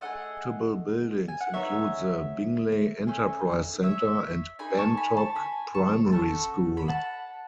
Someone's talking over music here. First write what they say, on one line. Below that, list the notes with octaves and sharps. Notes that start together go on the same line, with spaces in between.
Notable buildings include the Bingley Enterprise Centre and Bantock Primary School.
A3 D#4 G#4 D#5 F#5
G#5
F#5
B3 D#4 G#4 C#5 E5
A3 C#4 G#4
C#5 E5
D#4 G#4 G#5 B5
A5 C#6
G#5 B5
A5 C#6
G#5 B5
A5 C#6
A3 C#4 F#4 A5 C#6
B5
F#5 A5